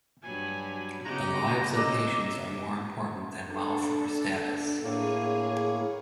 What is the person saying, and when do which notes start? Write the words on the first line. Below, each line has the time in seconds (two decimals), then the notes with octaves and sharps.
The lives of patients are more important than wealth or status.
0.23 G2 F#3 G#5 B5
1.05 C#3 B3 G4 D#5 F#5 A#5
1.76 C3 C#4 D#5 D6 E6
3.42 D4 A4
4.83 A2 A#3 G#4 C#5 G#5